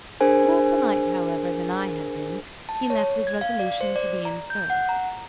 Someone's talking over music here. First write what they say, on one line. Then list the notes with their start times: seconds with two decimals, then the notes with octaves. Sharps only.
More polite, however, than I had been, he left his resolution to be inferred.
0.21 D4 G#4 A#4 C5 G#5
2.69 A5
2.90 C#5
3.27 G#6
3.41 F5
3.59 D5
3.81 C5
3.96 D5
4.25 A#5
4.50 G6
4.70 F#5
4.89 A#5